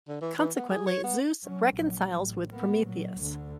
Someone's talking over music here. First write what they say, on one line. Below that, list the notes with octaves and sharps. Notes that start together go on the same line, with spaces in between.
Consequently, Zeus reconciles with Prometheus.
D3
E3
E3
B3
G#4
C#5
B3
F#3 C#4
A#1 F#3
A1
A#3 B3
A#2 F#3
D2 D3